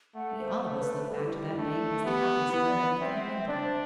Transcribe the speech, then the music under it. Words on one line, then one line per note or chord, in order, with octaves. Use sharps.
We all of us look back to that day as the happiest one that we can remember.
A3 F#5
C5
A3 C5
B4
B4
G3 A4
E4
E4
A3 D4
E4
B3 G4
B3 E4
D5
F#5
C4 E5
E5
D4 D5
C5